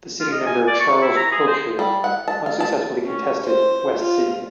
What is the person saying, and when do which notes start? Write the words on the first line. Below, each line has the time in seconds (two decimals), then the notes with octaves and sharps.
The sitting member Charles Pilcher unsuccessfully contested West Sydney.
0.20 F4
0.32 D#5
0.46 G#5
0.67 D5
0.80 C#6
1.02 E4
1.16 A#5
1.32 G#4
1.47 C5
1.79 G3
2.04 F#5
2.28 A5
2.46 F5
2.60 A5
3.04 C#4
3.44 C5
3.98 F4